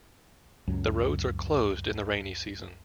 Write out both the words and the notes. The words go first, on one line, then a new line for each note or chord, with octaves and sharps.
The roads are closed in the rainy season.
C#2 F#2 F#3